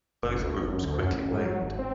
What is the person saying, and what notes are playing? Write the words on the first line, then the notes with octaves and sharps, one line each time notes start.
Both groups quickly waned.
F#1
D2
G#1
F#2
D2
F#2
A1
G#2
F#3
G#1
C4